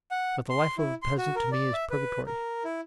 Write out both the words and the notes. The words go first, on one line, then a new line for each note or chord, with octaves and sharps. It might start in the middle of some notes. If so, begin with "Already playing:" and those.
But the life of a peasant to me is purgatory.
F#5
C6
E4
C6
F#4
A#4
D5
E5
B4
A#4
E4